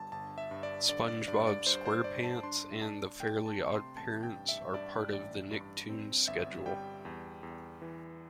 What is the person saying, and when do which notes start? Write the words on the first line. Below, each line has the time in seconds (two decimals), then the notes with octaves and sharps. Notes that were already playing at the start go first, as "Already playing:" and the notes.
"SpongeBob SquarePants" and "The Fairly OddParents" are part of the Nicktoons schedule.
Already playing: G1 G2 A5
0.12 G1 A5
0.38 E5
0.51 G2
0.63 D5
0.89 D3 D5
1.08 D5
1.28 G2 D5
1.47 D5
1.66 G2 C5
1.86 C5
2.04 G2 D5
2.23 A5
2.43 D4 C6
2.81 D4 A5
3.20 A3 G5
3.46 A5
3.58 C3
3.72 C6
3.97 A1 A5
4.23 G5
4.36 G2
4.49 E5
4.73 G2 D5
5.13 A1 D5
5.51 G2
5.89 C4
6.28 G1 E5
6.66 G3 G5
7.05 E2
7.43 E2
7.82 E3